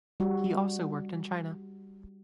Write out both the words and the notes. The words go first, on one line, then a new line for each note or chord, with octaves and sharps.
He also worked in China.
G3 F#4